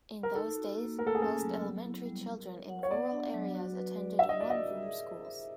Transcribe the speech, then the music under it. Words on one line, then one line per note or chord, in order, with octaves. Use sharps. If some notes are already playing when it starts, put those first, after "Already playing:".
In those days, most elementary children in rural areas attended one-room schools.
A#4
D#4 A4
F#4
A#3
A3 A#4
A4
G#4
C#4 A4
F#3
B3
E4
G3
A#4
C#5
F#5
C#5
B3 D5
D4
F#3
F#4
B4
D5
D4 E5
D#5
F#4 D5
D#5
A#4
G#4
C5
E5